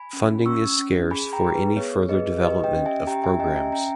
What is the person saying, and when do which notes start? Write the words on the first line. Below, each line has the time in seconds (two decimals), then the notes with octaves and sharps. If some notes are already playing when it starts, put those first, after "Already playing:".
Funding is scarce for any further development of programs.
Already playing: G#5 B5
0.13 C#4
0.46 C#4 C#6 E6
0.79 C#4
1.11 G#4 G#5 B5
1.33 G5 A#5
1.44 G#4
1.54 B4
1.76 B3 C#5
2.09 G#4 B4 D#5
2.42 G4 B4 D#5
2.64 D#5 G5
2.75 C#4
2.85 E5 G#5
3.07 G4 G5 A#5
3.24 E5 G#5
3.40 C#4 D#5 G5
3.51 A#5
3.56 E5 G#5
3.72 C#4 G5 A#5